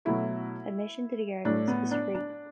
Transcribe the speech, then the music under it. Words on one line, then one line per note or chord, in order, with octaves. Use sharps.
Admission to the gardens is free.
B2 F#3 A3 E4
A2 A3 D4
B3
D4
D4